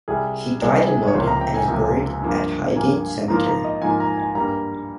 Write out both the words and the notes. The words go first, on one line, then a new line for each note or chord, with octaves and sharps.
He died in London, and is buried at Highgate Cemetery.
C2 C3 G3 G#4
C2 C3 G3 G#4
G#4
C#5
C#2 C3 F3 A#3 C5
A#5
G5
G#5
C#2 C3 F3 A#3
G2 F3 A#3
G2 F3 A#3 G#5
G#2 F3 A#3 F4 A#5
A#5
D#5
G#2 F3 A#3 F4 G#5
A#5
G#5
G2 G3 A#3 A#5